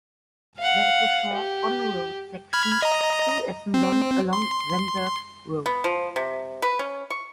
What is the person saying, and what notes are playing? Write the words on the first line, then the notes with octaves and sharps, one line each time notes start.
There is a short on road section through Essendon along Vanberg Road.
F5 F#5
G4
B5 F6 G#6
D#5 A#5
C4
C6
B3
F3
C3
B4
C#4
C#6